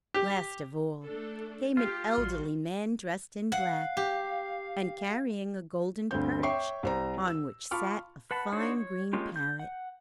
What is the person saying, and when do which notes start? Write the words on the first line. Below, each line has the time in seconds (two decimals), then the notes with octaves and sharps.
Last of all came an elderly man dressed in black, and carrying a golden perch on which sat a fine green parrot.
0.14 G4
1.05 A3 D4 A4
1.77 F4 G4
2.15 A1 G3 F#4 C6 F6
3.52 F5 F#5
3.97 G4
6.11 D2 G2 D3 C4 G6
6.43 C#5 E5 G5 C#6 D6 C7
6.83 C2 C5 A#5
7.27 E6
7.71 F4 A5 B5 C#6 D6 F6
8.31 B4 F#5 A5 B5
8.52 D4 D#4 F#4 C5 C#5
8.77 C#5
9.13 G#3 A#3 C#4 F4 G4
9.36 G6
9.59 F#5